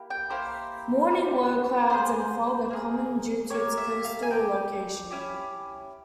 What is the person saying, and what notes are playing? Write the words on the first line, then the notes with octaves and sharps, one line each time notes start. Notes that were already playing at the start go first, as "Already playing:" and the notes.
Morning low clouds and fog are common due to its coastal location.
Already playing: A#3 E4 G4
G5
A#3 E4 G4 C5
C#4 E4 G4
C4 F4 G#4 C5
A#3 F4 G#4
A#3 C#4 G4 C#5
E5
F5
G#5
C4 E4 G4 G5
C#4 E4 G4